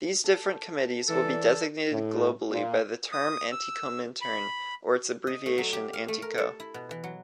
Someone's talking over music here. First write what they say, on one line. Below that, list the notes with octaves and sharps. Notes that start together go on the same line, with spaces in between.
These different committees will be designated globally by the term Antikomintern or its abbreviation Antiko.
A4
E3 A4 D5 G#5
A2
A#2
D#6
E6
B5
D#5
A3
F#3
G4
F5
A3
A#4
A4
E4
B2
E3
F#3